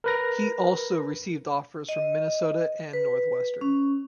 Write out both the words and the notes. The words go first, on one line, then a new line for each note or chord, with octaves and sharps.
He also received offers from Minnesota and Northwestern.
A#4 B4 A#6
D#5
B4
C#4